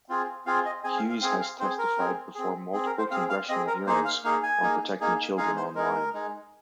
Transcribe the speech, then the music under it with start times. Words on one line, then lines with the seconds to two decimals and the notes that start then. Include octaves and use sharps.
Hughes has testified before multiple congressional hearings on protecting children online.
0.09 C4 F4 G#4
0.46 C4 F4 G#4 F5
0.65 D#5
0.84 C4 G#4 G#5
0.97 F5
1.10 F5
1.21 C4 G#4 F5
1.41 F5
1.60 C4 C5
1.64 G#4
1.78 A#4
1.97 C4 G#4
2.35 C4 G#4
2.73 C4 G#4
2.86 A#4
2.98 C5
3.11 C4 G#4 F5
3.30 F5
3.49 C4 G#4 D#5
3.67 A#4
3.87 A#3 D#4 G#4 C5
4.05 F5
4.24 A#3 D#4 G#4 F5
4.43 G#5
4.62 A#3 D#4 G#4
5.00 A#3 D#4 G#4
5.38 G#3 D#4 G#4 F5
5.57 C5
5.75 G#3 D#4 G#4 A#4
6.13 G#3 D#4 G#4